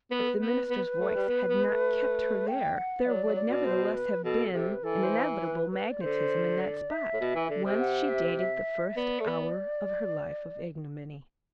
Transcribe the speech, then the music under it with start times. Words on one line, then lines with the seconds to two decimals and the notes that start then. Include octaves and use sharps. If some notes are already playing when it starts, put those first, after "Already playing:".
If the minister's voice had not kept her there, there would, nevertheless, have been an inevitable magnetism in that spot, whence she dated the first hour of her life of ignominy.
0.11 B3 B4
0.20 A4
0.28 B4
0.41 B3
0.70 B3
1.00 A3
1.15 G3
1.29 B3
1.49 B3
1.69 A3
2.48 G5
2.78 F#5
3.06 F#3 D5
3.26 F#3
3.36 D5
3.46 B2
3.66 C5
3.95 B4
4.24 B2 A4
4.53 C3 A4
4.73 B4
4.83 E3 A4
5.03 C5
5.42 B4
5.72 B4
5.91 D5
6.01 D3 C5
6.61 D5
6.90 E5
7.13 A2
7.20 B2
7.35 E3
7.50 D3
7.65 C3
7.79 F#5
8.09 E5
8.37 E5
8.97 B3 D5
9.20 A3
9.27 B3